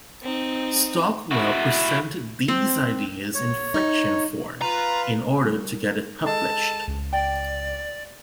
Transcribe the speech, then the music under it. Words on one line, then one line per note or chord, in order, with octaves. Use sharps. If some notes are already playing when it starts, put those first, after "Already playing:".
Stockwell presented these ideas in fiction form in order to get it published.
C4 D#4
E4 F#4
C4
D3 C#5
D#4
F4 B4 A#5
G3 A#4
G#3 A4 D#5 A5 E6
C#2
D5 G5